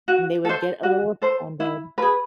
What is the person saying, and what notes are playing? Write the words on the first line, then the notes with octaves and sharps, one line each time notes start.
And they would get a little offended.
F#4
A4 C5
F#4
A4 C5
E4
G#4 B4